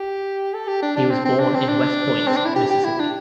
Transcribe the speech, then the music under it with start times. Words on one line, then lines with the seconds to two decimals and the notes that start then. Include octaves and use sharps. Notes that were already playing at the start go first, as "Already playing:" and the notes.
He was born in West Point, Mississippi.
Already playing: G4
0.54 A4
0.68 G4
0.83 D4
0.97 D4
1.11 C4
1.25 C4
1.40 D4
1.55 C4
1.69 D4
2.28 C4
2.37 D4
2.46 E4
2.56 G4
2.71 G4
2.85 E4
3.00 D4